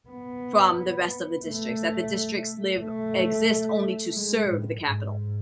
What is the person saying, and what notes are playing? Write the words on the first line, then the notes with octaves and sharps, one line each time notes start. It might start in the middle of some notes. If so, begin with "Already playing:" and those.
from the rest of the districts, that the districts live exist only to serve the capital.
B3
A3
A3
G#3
A2
G#2